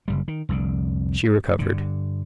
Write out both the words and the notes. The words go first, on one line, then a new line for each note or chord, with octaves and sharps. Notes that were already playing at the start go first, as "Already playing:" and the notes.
She recovered.
F#1 C2 G3
D#3
F1 C2 D3
G2 D3